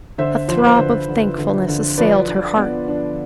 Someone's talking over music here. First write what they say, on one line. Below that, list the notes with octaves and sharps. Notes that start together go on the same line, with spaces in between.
A throb of thankfulness assailed her heart.
D3 C5 E5
F3 C5
B4
C5
D3 C5
D3
D3
D3
F3 B4 D5
D4
B3
D4